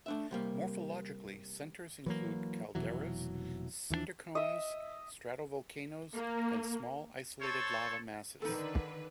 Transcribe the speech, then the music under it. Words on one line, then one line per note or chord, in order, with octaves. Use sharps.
Morphologically, centers include calderas, cinder cones, stratovolcanoes and small isolated lava masses.
A3 D4 E5
C3 G3 A#3
E3 F#3 A#3
F1 B2 E3 F#3
D#2 E3 G3 D4
D#5 E5
A#3
A4 C5 C#5 A5
D3 D#3 D#4 A4 B4